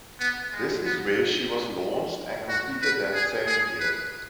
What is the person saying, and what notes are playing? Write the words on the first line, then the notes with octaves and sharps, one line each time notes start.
This is where she was launched and completed that same year.
B3
G#3
B3
F#4
B4
G#4
G#4
B4